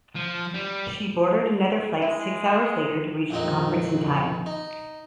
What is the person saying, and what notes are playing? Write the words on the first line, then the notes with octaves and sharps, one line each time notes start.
She bordered another flight six hours later to reach the conference in time.
F3
G3
G#3 E4
A#1 F2 C4 D#4
D#4